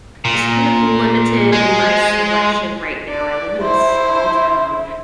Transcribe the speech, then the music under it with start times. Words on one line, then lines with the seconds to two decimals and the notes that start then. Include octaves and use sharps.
just kind of limited in my selection right now. I live in a small town,
0.25 A#2
1.52 G#3
3.09 D5
3.63 E4 C5